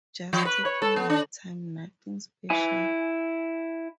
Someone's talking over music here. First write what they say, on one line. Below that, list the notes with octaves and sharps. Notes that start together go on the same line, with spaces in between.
Just taking my time, nothing special.
F3
B4
C#5
A4
B3
D4
E4 G#5